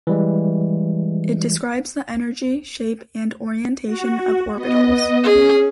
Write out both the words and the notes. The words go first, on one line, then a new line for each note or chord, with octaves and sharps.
It describes the energy, shape and orientation of orbitals.
E3 G3 G#3
F#4
B3 D#5
C#4 G#4